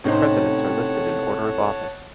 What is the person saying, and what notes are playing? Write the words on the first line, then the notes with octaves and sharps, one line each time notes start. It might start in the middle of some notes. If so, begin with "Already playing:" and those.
The presidents are listed in order of office.
A2 C3 C#4 D#4 C5 C#5 F#5 A5